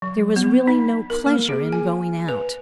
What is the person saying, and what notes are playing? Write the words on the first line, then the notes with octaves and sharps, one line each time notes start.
There was really no pleasure in going out.
F#3
B3
D#4
A#4
A#3
G#4
G#5
B4